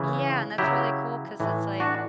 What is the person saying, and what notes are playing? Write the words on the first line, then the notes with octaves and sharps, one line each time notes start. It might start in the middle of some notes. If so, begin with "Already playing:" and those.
Yeah, and that's really cool 'cause it's like
Already playing: C#3 E3 E4
C#3 F#3 E4 G4
A2 E3
D4 F#4